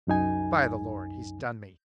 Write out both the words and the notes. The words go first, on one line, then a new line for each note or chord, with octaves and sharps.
'By the Lord, he's done me!'
C2 F#2 D#4 G#5